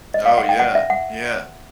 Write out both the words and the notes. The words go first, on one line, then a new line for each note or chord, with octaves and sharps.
Oh, yeah, yeah.
D#5
F5
F#5
G5
F#5
E5
F#5